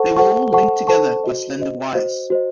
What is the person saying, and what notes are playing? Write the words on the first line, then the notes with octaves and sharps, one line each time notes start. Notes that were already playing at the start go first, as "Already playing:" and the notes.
They were all linked together by slender wires.
Already playing: A4 C5 F#5 A5 C#6
A4 C5 F#5 A5 C#6
A4 C5 F#5 A5 C#6
A4 C5 F#5 A5 C#6
F#4 C5 D#5
F#4 C5 D#5
F#4 C5 D#5
F#4 C5 D#5